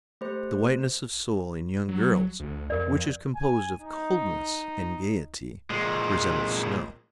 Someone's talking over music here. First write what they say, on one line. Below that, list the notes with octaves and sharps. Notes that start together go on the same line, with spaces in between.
The whiteness of soul in young girls, which is composed of coldness and gayety, resembles snow.
A3 G4 C5
F#3
D2
F2 A#4 D5
G#5
D#4
A#2 G#3